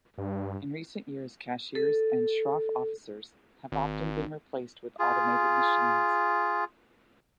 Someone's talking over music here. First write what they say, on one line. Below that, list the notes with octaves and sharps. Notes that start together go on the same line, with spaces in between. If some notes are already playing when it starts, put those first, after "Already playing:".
In recent years, cashiers and shroff officers have often been replaced with automated machines.
G2
A4
G#1
F4 G#4